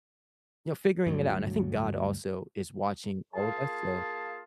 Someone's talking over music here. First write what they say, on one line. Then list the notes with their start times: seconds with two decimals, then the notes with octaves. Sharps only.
you know, figuring it out and I think God also is watching all of us, so,
1.07 D2 G2 F#3
3.35 A#3 F4 G#4 F5 A5